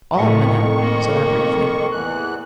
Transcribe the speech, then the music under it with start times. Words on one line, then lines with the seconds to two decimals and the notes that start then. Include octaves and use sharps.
"All, madame," said I, briefly.
0.17 F2 A2 D#3 A3 C#6
0.80 A#3
1.92 E2 E3 F#6